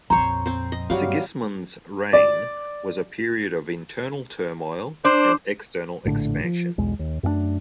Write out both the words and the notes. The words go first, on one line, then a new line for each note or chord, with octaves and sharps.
Sigismund's reign was a period of internal turmoil and external expansion.
A#1 F2 C5 C#5 A#5
C4 C5
D#5
G2 F#3 G3 F5
D5
D4 C5
A#1 A2 D3
F3
B1 E2 G#3
D#2
F#2 A3 A#3 D4